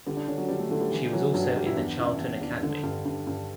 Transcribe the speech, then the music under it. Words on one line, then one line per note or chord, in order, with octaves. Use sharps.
She was also in the Charlton academy.
D3 G3
D4
D3 C#4
F#3
D3 G3
A3
D3 A3
G3
E3
E3 F#3
G2 F#3
F#3
G2 G3
E4
E2 D4
C#3 E4
E2
E2 D4
D3
G2
G2
G2